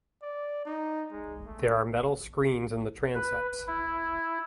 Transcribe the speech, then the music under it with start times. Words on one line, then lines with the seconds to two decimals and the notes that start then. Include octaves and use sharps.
There are metal screens in the transepts.
0.22 D5
0.66 D#4
1.11 G#3
1.47 A3
3.15 B4
3.67 E4